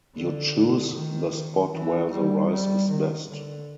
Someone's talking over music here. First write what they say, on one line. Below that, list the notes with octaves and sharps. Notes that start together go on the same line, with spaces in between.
You choose the spot where the rice is best.
D3
D#3
D#3
E3
G3
G3
D#3
D3